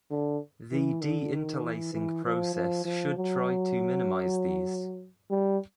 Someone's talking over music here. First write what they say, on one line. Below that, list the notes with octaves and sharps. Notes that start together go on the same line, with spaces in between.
The deinterlacing process should try to minimize these.
D3
E3
D3
D#3
E3
E3
F3
F3
F3
F#3
G3